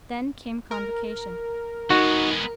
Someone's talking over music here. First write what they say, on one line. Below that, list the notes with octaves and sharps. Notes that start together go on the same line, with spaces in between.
Then came Convocation.
A#4
G#3 B3 D#4 F#4